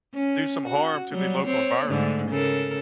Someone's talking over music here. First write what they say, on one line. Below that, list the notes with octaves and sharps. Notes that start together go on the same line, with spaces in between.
do some harm to the local environment.
C#4
F#4
F#3 G3
C4 C#5
G#2 D3 A3
C#3 A4 A#4